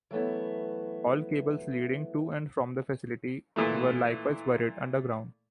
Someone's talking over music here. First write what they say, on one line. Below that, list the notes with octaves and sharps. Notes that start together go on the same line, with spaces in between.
All cables leading to and from the facility were likewise buried underground.
E3 F#3 A3 B3 E4
A#2 E3 A3